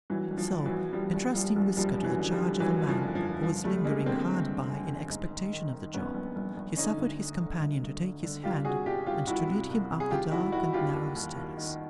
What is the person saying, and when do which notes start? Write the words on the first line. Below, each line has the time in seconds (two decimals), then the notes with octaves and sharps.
So, entrusting Whisker to the charge of a man who was lingering hard by in expectation of the Job, he suffered his companion to take his hand, and to lead him up the dark and narrow stairs.
0.10 A#1 E3 F#3
0.31 A#1
0.37 F3
0.51 A#1
0.65 E3 F#3
0.72 A#1
0.93 E3 F3 G3
1.13 A#1
1.34 A#1 F3 G3
1.56 A#1
1.77 F#1 F3 G3
1.97 F#2
2.04 E3 F#3
2.18 D3
2.32 F3 G3
2.39 D3
2.60 F#1 E3 F#3
2.81 F#1
2.88 F3
3.02 D3
3.15 F3
3.22 F#2
3.43 G1 F3
3.64 G1 G3 A3
3.85 D3 G#3 A#3
4.06 D3 A#3 C4
4.27 G1
4.48 D3
4.68 F#2
4.89 G1
5.10 G#2
5.31 D#3
5.53 D#3
5.73 D#3
5.93 A#1 B3 C#4
6.15 A#1
6.36 A#1
6.57 A#1
6.77 D3 C#4 D#4
6.98 D2
7.20 D3
7.39 D3
7.60 D2
7.82 D2
8.02 D3
8.23 D3
8.44 C2 F4 G4
8.64 C3 F#4 G#4
8.85 C2 F4 G4
9.06 C2 F4 G4
9.27 C2 E4 F#4
9.48 C3
9.69 C2
9.91 C3
10.00 G#4
10.11 D#2 F4 G4
10.31 D#2 E4 F#4
10.52 D#3 E4 F#4
10.73 D#2 F4 G4
10.94 D#2
11.15 D#2
11.36 D#2
11.57 D#3